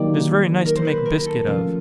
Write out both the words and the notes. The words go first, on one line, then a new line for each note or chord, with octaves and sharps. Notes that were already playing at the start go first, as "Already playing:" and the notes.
It is very nice to make biscuit of.
Already playing: D#3 F#3 A#3 D#4 G4 D5
A#4
C5
B4
A#4
A4
C3 F3 A3 C#4 F4